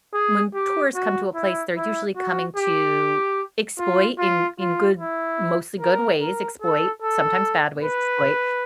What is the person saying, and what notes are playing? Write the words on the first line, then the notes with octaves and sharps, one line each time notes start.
when tourists come to a place, they're usually coming to exploit in in good, mostly good ways, exploit sometimes bad ways, exploit,
G#4
G4
F#4
E4
E4
F#4
G4
F4
F4
F4
E4
A#4
A#4
A4
A4
B4